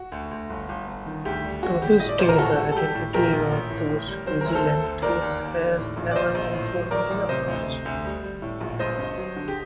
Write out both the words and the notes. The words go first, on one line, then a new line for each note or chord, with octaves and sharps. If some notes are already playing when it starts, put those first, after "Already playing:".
To this day the identity of those vigilantes has never been formally acknowledged.
Already playing: F#4
D2
D2
G1
G1
G1
D#3
D2 G4
G3
G3 F#4
G3 G4
A2 D#5
D5
A#1 C5
A#4
A2 F#4 A4
G3
A4
G3 G4
A2
A#1 G4 A#4
A#1
A1
A2
A1
G3
F#3 C5
D2 A#4
A4 C5
D2
D2
D#2 A#4 D5
D#2
D#2
D#2
A2
A#1
D5
A#1 C5 D#5
A#1
A2
F#3
F#3 A#4 D5
A1
C3 C5 D#5
D2
C3
D2
G3
G3
A2
A#1
G1 C5 D#5
G2
F#3
D3
G4